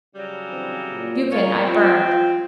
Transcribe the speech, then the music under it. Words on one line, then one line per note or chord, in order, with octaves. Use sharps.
"Buchan" I burned.
C#3 F#3 G3
D3 E3 C4
A#2
C#3 F4 A#4 C#5
C4 F4